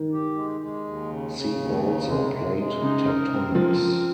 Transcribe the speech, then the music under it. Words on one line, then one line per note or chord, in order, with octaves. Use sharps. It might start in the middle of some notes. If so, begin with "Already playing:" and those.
See also Plate tectonics.
Already playing: D#3
G4
G#3
G#3
D#2
C#3
C#3
D#2
C#3
C3 G#3
G#3
G#3
C#3 D#4
A#4
C4
F3 A#4
C4